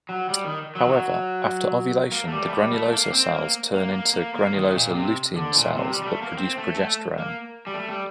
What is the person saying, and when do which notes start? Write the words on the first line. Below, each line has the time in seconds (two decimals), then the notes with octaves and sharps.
However, after ovulation the granulosa cells turn into granulosa lutein cells that produce progesterone.
0.09 F#3
0.30 G3
0.44 D#3
0.75 F#3
0.85 D#3
0.90 F#3
2.12 A#3
2.27 A3
2.32 G3
2.42 A3
2.52 G3
2.72 A3
2.92 A#3
3.13 C4
3.33 A#3
3.74 A#3
3.94 A#3
4.14 A#3
4.34 A#3
4.54 D#3
4.75 A#2
4.95 C3
5.36 D3
5.56 A#2
5.76 C3
5.91 G3
6.03 G3
6.06 A3
6.22 A#3
6.37 C4
6.57 A3
6.77 A3
7.18 A#3
7.67 G3
7.74 A3
7.89 G3